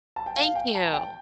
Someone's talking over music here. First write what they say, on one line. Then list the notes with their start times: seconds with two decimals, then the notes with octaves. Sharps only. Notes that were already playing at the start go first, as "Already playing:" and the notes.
Thank you.
0.16 A5
0.26 G5
0.36 F5
0.55 G5
0.75 A5
0.85 A5
0.93 G5